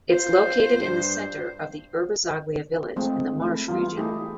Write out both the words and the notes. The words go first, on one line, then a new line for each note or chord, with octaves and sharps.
It’s located in the center of the Urbisaglia village, in the Marche region.
F4 C5
G2
F3 G#3 A3 C4
A3 E4
E3 G3 F4
A3 D#4 E4 G4 G#4